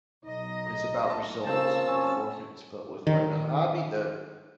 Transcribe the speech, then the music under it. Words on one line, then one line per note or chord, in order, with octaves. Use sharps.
it's about results and performance, but with, like, a hobby, though,
B1 D#4 D#5
A5
C#3 A#3 C4 F4 A5 E6
C#4
D#3